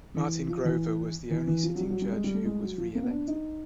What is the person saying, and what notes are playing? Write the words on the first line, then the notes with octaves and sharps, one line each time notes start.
Martin Grover was the only sitting judge who was re-elected.
E3
F3
E3
E3
E3
F3
F#3
G3
F#3
G3
G#3
G3
A3
G#3
F#3
F3
A#3
B3
D4
D#4